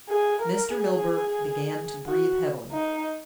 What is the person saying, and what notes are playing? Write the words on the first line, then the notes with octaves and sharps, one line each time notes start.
Mr. Milburgh began to breathe heavily.
G#4
A#4
G#4
F#4
D#4